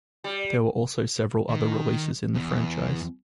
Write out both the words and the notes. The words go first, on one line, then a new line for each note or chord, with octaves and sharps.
There were also several other releases in the franchise.
G3
D#3
E2